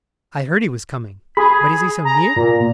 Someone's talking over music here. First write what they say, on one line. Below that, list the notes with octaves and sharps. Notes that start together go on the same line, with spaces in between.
"I heard he was coming, but is he so near?"
G#4 B5
A#5
A#2